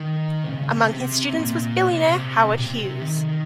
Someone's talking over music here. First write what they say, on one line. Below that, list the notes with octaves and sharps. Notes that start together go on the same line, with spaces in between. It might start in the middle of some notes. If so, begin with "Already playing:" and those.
Among his students was billionaire Howard Hughes.
Already playing: D#3
C3
C#3
C#3
C3
A#2
C3
C3
A#2
C3
D#3